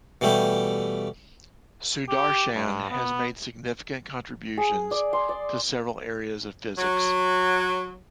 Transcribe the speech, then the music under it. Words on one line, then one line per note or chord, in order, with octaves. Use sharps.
Sudarshan has made significant contributions to several areas of physics.
B2 E3 G3 A3 G4
G4
G2
B3
G#4
D5
C6
D5
F#3